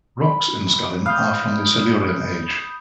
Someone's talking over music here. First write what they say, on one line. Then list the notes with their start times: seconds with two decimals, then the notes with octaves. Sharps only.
Rocks in Scullin are from the Silurian age.
0.21 B5
1.06 F5 B5 D#6 G6